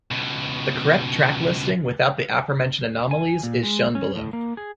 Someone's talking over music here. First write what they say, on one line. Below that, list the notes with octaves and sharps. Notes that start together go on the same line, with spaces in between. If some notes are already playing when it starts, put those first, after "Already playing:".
The correct track listing, without the aforementioned anomalies, is shown below.
C#2 B2
G#5
A#2
G#3
C#4
A2
A#3
G#4